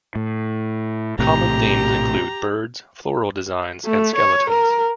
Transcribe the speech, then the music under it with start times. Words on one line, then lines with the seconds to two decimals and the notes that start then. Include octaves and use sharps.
Common themes include birds, floral designs, and skeletons.
0.15 A2
1.19 A#1 A2 C3 G4 A#5
3.85 A3
4.15 C#5
4.50 A#4